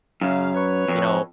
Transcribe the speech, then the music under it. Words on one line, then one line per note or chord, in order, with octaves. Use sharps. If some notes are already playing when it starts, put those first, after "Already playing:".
you know
F#2 C#3 F5
B4 C#5
F2